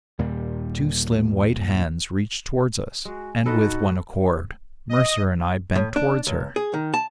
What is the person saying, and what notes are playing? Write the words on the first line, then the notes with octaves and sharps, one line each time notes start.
Two slim white hands reached towards us, and with one accord, Mercer and I bent towards her.
D#2 A#2 G3
G#3 F#4
A2 C4 D4 D#4 F#4 A4 B4 D#5
D#5
A2
D4
C#2
G#4
D#3
A5